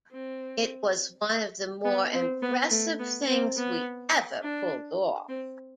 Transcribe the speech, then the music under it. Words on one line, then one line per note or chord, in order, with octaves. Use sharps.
It was one of the more impressive things we ever pulled off.
C4
B3
C4
B3
A3
B3
C4
B3
D4
C4